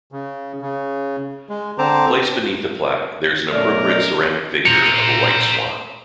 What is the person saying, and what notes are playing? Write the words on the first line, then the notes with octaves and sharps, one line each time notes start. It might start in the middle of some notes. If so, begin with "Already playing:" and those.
Placed beneath the plaque there is an appropriate ceramic figure of a white swan.
C#3
C#3
G#3
D3 C4 C5 A5 A#5 D6
F#2 B2 A3 C#4 A#4 D5
C5 A#5 C#7